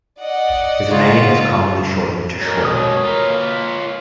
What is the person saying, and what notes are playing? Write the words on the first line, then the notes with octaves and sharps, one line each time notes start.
His name is commonly shortened to Schwerin.
D5 D#5 F#5
C#3 F4
F#3 G#3 A#4
B2 C#5 D#6
F4 A#4 B4
A#3